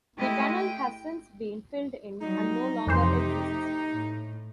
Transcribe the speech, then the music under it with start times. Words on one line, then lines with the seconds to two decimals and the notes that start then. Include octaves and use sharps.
The tunnel has since been filled in and no longer exists.
0.17 G#3 A3 E4 G4 D#5
0.55 G5
2.21 F#3 G3 D#4
2.87 F2 C3 E3 A3 G4 C5
3.91 A2